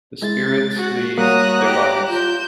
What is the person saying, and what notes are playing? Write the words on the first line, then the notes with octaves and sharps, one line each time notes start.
The spirits leave their bodies.
G#3 E4 G#4 A6
F#4 F#5
G3 A#3 F#4 C#5 A#5 D#6 F#6
E4 G4 D6
F4 G6 E7